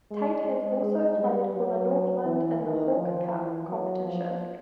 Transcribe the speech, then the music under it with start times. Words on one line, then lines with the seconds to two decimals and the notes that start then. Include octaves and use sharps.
Tait has also played for the Northland in the Hawke Cup competition.
0.11 G#3
0.46 G#3
0.82 G#3
1.18 G3
1.54 F#3
2.25 E3
2.61 D#3
2.97 F3
3.34 E3
3.68 F#3
4.05 F3